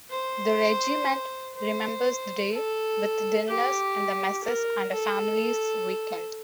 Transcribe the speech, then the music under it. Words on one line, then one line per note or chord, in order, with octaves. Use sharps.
The Regiment remembers the day with dinners in the Messes and a families weekend.
C5
C5
A4
G4
A#4
A4